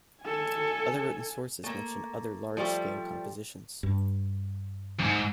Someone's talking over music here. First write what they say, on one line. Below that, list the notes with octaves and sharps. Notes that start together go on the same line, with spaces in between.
Other written sources mention other large-scale compositions.
A4 G#5
A3 A#3
F3 G3 A3 G4
G2
F2 G#2